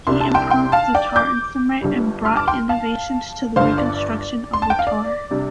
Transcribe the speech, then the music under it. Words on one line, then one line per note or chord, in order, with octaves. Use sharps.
He improved the tar instrument and brought innovations to the reconstruction of the tar.
C2 C3 G3 D4 C6
A5
G5 C6
G5 C6
F5 A5
D5 G5
D6 G6
G1 G2 G3
C6 F6
A5 D6
G5 C6
F5 A5
G1 G2 D3 C5 F5
D5
C6
A5
G5
F5
D5
C3 G3 D4